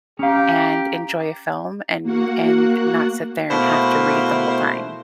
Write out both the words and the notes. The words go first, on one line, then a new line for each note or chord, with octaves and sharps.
and enjoy a film and and not sit there and have to read the whole time.
C#4 G4 F5 G5 A#5
A#3 F#4 F#5
B2 A3 A#3 E4 C5